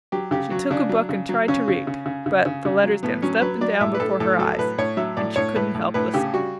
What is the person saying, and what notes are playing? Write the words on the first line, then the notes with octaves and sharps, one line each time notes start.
She took a book and tried to read, but the letters danced up and down before her eyes, and she couldn't help listening.
F#3 G4
C#3 G4
F#3 F#4
C#3 D4
F#3
C#3
F#3
C#3 C#4
C#3
C#3
C#3
C#3
C#3
C#3
F#3
A2 B3
F#3 C#4
F#3 B4
F#3 D5
A2 E5
B4
A2 A4
A2 A4
F#3 A4
A2 B4
A2 C#5
F#3 E5
A2 D5
A2 C#5
A2 B4
A2
A2 B4
C#3 G4
G3 F#4